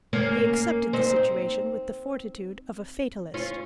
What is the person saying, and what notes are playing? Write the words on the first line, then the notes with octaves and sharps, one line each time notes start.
He accepted the situation with the fortitude of a fatalist.
A#3 C#4
C4 D#4
C#4 F4